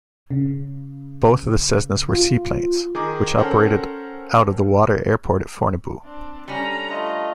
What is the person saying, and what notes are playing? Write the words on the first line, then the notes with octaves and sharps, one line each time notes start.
Both the Cessnas were seaplanes, which operated out of the water airport at Fornebu.
C#3
F4
D#3 G#4 A#5 D6
C#4 A4 A#4 C5 F#5 G5
C4 D4
D3 G3 C#4 A#5
A3 F4 D#5